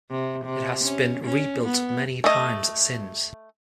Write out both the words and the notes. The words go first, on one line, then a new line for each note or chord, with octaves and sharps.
It has been rebuilt many times since.
C3
C3
C#4
C#4
B3
A3 D#5